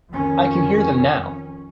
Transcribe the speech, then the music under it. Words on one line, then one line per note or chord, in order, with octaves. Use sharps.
I can hear them now.
F2 D#3 C#4